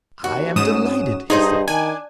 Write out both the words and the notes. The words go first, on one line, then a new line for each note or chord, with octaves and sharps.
'I am delighted,' he said.
D#2 F#4
G#2 C#4 D#6 E7
G2 D#4 G#4 C5 D#5
D#3 D4 G#5